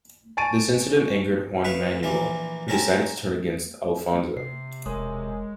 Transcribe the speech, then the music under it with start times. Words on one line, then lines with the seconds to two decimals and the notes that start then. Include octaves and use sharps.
This incident angered Juan Manuel, who decided to turn against Alfonso.
0.37 G#5 A5 C#6 A6 D7 D#7
1.65 B4 E5 F5
2.03 A#1 E3 A#3 D5
2.68 C4 C#4 A#4 G5 A5
4.37 C3 C7
4.86 E1 G#3 A#4 C#5 D#6